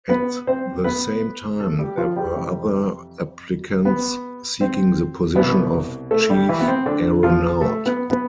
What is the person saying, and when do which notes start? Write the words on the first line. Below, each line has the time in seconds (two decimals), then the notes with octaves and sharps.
At the same time, there were other applicants seeking the position of Chief Aeronaut.
0.09 B3 B4
0.47 C4 C5
0.84 B3 B4
1.60 A3 A4
1.79 G3 G4
1.97 F3 F4
2.16 G3 G4
2.35 F2 C3 E3
3.85 B3 B4
4.61 C4 C5
5.35 C2 B2 B3 B4
6.11 A3 A4
6.30 G3 G4
6.49 E3 E4
6.61 B3
6.68 C4
6.86 D3 D4
7.23 F3 F4
7.61 A3 A4
7.86 B3 B4
8.11 B3 B4